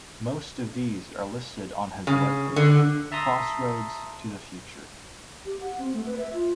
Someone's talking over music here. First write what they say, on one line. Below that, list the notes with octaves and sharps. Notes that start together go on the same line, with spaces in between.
Most of these are listed on his webpage, "Crossroads to the future".
C#3
D3
E5 A5 A#5 C6 D#6
G4
F#5
C4
A3
B4
E5
F4